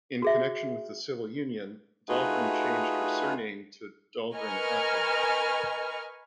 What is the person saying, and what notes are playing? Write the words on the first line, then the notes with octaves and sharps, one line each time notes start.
In connection with the civil union, Dahlgren changed her surname to Dahlgren-Attling.
F#4 G#4 E5
A3 D#4 F4 F#4 G#4 B4
A#4 B4 D#5 G#5 C#6 F6